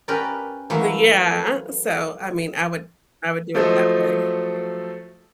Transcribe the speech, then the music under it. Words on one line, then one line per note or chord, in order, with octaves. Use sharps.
Yeah, so, I mean, I would I would do it that way. Y
C#4 G4 A#4 B4 D5
E3 F#3 A3 A#3 E4
F3 F#3 A3 A4 C5 D#5